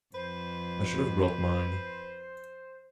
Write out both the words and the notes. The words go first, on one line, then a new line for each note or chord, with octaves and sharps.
I should have brought mine.
F2 B4 C5